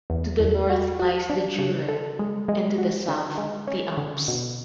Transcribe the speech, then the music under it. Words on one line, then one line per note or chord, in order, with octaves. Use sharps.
To the north lies the Jura and to the south the Alps.
E2
E2
F#4
F#4
D4
C#3
A4
G#3
G#3
F#4
D3
G#3
C#4
D3
B2